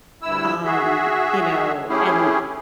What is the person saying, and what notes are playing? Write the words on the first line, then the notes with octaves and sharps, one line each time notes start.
Um, you know, and,
D2 G2 E4 E6
F#4 G#4 E5
A3 C#4 E4 G4 G#4